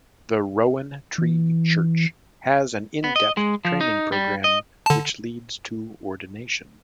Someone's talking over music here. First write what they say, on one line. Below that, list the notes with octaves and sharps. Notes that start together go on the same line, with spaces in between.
The Rowan Tree Church has an in-depth training program which leads to ordination.
E3
B3
D#5
G#3
F3
D#4
G3
D#5
D3 A5